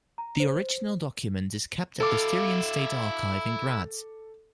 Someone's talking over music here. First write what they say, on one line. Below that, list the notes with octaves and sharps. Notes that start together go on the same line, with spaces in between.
The original document is kept at the Styrian State Archive in Graz.
A#5
C5
E4 A4 F5 D6